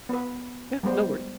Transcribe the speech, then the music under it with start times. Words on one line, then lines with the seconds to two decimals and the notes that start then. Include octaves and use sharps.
Yeah, no worries.
0.09 B3 B4
0.83 G3 G#3 B3 C5